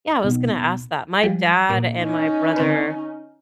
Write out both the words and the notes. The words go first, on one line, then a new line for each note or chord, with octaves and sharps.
Yeah, I was gonna ask that, my dad and my brother
B1
B2
F3 G3 G#3
A#2 A#3
C#4 D#4
D3 C4 B4